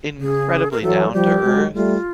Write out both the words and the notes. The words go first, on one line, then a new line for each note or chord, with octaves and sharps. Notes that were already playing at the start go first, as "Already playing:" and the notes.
incredibly down-to-earth,
C#3 G#4
A#4
E3 F#3 A4
F3 G3 G4
F#3 G#3
G3 A3 F4